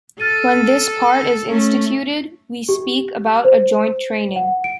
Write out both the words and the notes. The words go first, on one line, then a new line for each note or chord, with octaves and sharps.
When this part is instituted, we speak about a joint training.
A4 F6 A6 D#7
A3 C#4
G4
C5
F#5
D7